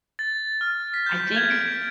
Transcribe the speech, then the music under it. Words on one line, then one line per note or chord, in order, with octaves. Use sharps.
I think
A6
F6
B6
G6
G#6
D7
B6